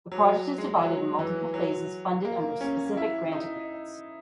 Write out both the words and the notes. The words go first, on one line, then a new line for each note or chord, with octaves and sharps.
The project is divided in multiple phases funded under Specific Grant Agreements.
F#3
G#3
F#3
E3
F#3
A#3
C#4
E4
D#4